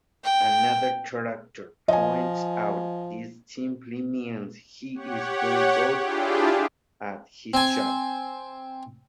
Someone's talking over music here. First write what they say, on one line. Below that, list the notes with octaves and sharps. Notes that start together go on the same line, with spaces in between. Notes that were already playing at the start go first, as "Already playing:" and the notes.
Another character points out this simply means he is very good at his job.
G5
F3 D#5 G#5
G4 C#5 F#5
D4 E4 F4 G4 G#4
C4 G#5